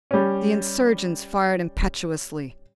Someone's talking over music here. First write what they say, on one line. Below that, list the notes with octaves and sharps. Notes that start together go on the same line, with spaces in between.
The insurgents fired impetuously.
G3 C#4